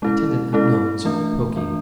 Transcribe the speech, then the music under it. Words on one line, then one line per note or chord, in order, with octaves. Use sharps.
Attendant unknowns; pokey.'
G#3 C#4 E4 A4
G#3 C#4 E4 A4
E3 A3 D4
E3 A3 D4